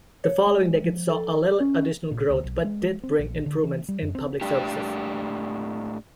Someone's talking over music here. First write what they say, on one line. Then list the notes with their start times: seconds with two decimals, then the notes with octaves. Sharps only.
The following decades saw little additional growth but did bring improvements in public services.
0.24 C#5
0.47 G#3
0.84 F3
1.09 A4
1.60 C#4
2.11 A#2
2.29 D2
2.44 B1
2.65 G#3
3.03 C4
3.19 A#1
3.46 D3
3.64 E3
3.89 G3
4.02 F#2
4.15 C4
4.41 A2 D4 G4